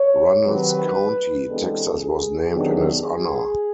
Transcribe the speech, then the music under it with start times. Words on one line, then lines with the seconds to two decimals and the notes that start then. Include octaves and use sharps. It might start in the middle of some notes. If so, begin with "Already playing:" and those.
Runnels County, Texas was named in his honor.
Already playing: C#5
0.44 C3 D#3 F#3 B4
1.48 C3 E3 G#3 B3 D4 A4
2.00 G#4
2.52 C3 D#3 F#3 B3 D4
3.03 G#4